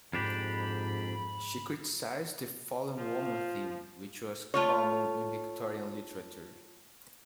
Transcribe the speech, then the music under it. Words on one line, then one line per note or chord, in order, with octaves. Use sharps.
She criticized the "fallen woman" theme, which was common in Victorian literature.
F2 G#2 D4 G4 B5
F3
A3 F4 C#5